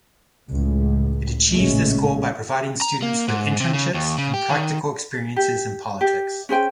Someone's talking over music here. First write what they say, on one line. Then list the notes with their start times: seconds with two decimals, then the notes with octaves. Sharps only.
It achieves this goal by providing students with internships and practical experiences in politics.
0.49 C#2 A2
1.49 A1 A#2 C#3 G#3 A3 C#4
2.81 A#5
3.02 A#3
3.28 G#2
3.60 C3
3.74 C#3
3.94 D#2
4.18 C#3
4.34 G4
4.50 D#3
5.36 G4
6.01 G4
6.49 C#4 G#4 C5 G5